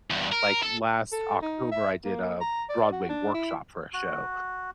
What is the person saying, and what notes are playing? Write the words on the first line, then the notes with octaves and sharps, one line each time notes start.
Like, last October I did a Broadway workshop for a show,
E2 G2
A#4
A4
A4
D#4
E5
A#3
A#5
D5
F#4
D4
E4
F#4